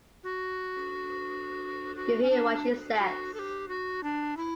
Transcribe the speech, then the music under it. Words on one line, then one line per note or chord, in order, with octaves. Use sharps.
You hear what she says.
F#4
F#4
C#4
D4
F#4
A4
G4
F#4
D4
E4